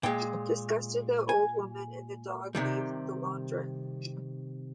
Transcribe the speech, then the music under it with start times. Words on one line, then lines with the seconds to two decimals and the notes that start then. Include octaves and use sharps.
Disgusted, the old woman and the dog leave the launderette.
0.03 A#2 G#3 G5
1.29 G#5
2.55 C3 D#3 G3